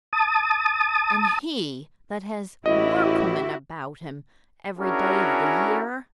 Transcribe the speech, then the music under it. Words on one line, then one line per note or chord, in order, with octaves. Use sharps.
And he that has workmen about him every day of the year!
A5 D#6
A1 E4 F#4 G4 D#5
C#4 D4 E4 F#4 G#4 A#4